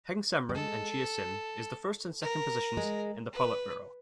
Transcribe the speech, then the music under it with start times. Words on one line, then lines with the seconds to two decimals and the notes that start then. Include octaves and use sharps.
Heng Samrin and Chea Sim is the first and second positions in the Politburo.
0.49 G3
0.55 G#3 A4
2.21 A#4
2.77 G#3
3.32 B4